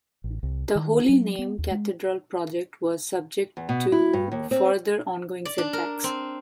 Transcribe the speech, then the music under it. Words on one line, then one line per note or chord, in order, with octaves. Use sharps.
The Holy Name Cathedral project was subject to further ongoing setbacks.
A1
C2
D#3
F#3
B3
D#2
G#3
E2
B2
E4
G2
D#2
C4
D5
D4
A#4
C4